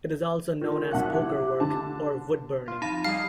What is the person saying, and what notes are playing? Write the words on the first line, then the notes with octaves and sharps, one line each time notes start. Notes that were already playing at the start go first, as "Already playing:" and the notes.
It is also known as pokerwork or wood burning.
D#3 F4
C2 F#3 F#5 F#6
E4 G4
D3 A5
F4
F2 D#4 F5 A5 B5
G3 D#4 G#4 F5 A5 F6